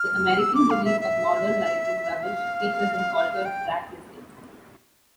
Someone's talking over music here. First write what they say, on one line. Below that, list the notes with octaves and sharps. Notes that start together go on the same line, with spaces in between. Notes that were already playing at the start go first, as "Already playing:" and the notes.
The American release of "Modern Life Is Rubbish" features an altered track listing.
Already playing: F6
E6
D6
F5
E5
E5
F5
G5